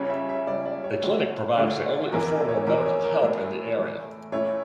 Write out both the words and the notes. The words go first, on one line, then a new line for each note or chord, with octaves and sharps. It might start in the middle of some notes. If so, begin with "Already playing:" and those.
A clinic provides the only affordable medical help in the area.
Already playing: C#2 C#3 G3 C#4 C#5
E5
E5
C#2 C#3 G3 C#4 D5
D5
C#5
D2 D3 A3 D4 F4
D2 D3 A3 D4 F4
F1 E2 E3 A#4
A#4
C#5
F1 E2 E3 A#4
C#5
A#4
A2 E3 A3
A2 E3 A3
A#2 A3 C#4 E4 C#5